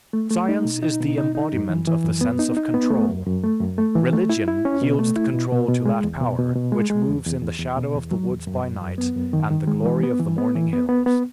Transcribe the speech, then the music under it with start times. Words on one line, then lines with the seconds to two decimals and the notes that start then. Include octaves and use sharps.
Science is the embodiment of the sense of control, religion yields the control to that power which moves in the shadow of the woods by night, and the glory of the morning hills....
0.13 A3
0.30 A3
0.49 D#4
0.65 B2
0.83 D#4
1.01 B2
1.18 D#4
1.35 D#4
1.52 F#2
1.69 E3
1.87 E3
2.05 F#2
2.21 B3
2.39 D#4
2.57 D#4
2.74 B3
2.90 A3
3.09 F#2
3.26 F#2
3.44 A3
3.60 F#2
3.78 A3
3.95 E3
4.13 A3
4.30 E4
4.48 E4
4.65 C#4
4.82 B2
4.99 A3
5.16 E4
5.33 B2
5.52 B2
5.68 B2
5.86 G#3
6.04 E2
6.21 B2
6.38 B2
6.56 B2
6.72 G#3
6.90 G#3
7.08 E2
7.26 E2
7.42 E2
7.59 E2
7.77 B2
7.95 E2
8.11 F#3
8.30 E2
8.47 F#2
8.64 F#2
8.82 F#2
8.98 B3
9.16 F#2
9.33 D#3
9.51 D#3
9.67 G#3
9.86 E3
10.03 B3
10.19 E3
10.38 B3
10.55 E3
10.73 B3
10.89 B3
11.06 B3